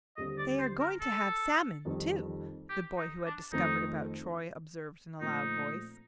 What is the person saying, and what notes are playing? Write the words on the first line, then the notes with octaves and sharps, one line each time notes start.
"They are going to have salmon, too," the boy who had discovered about Troy observed in a loud voice.
D#2 D3 G3 C4 G4 D#5
D5
C5
A#4
A4
F2 D#3 G3
G4
D#4
D4
F2 D#3 A3 C4 D#4
A#2 F3 A3 C4 D#4